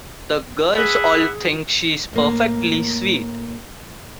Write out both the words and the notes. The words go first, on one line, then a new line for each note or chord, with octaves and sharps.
The girls all think she is perfectly sweet.
G#4 B4 E5 F#5
A2 A#3